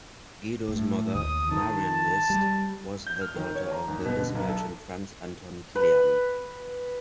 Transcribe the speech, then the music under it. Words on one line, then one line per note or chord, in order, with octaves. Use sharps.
Guido's mother, Marian List, was the daughter of builder's merchant Franz Anton Killian.
A2
D#2 D#6
D#3 A5
G3
G6
F6
D#3
C#5
A#5
D#2
B2
D3
B1
A4
B4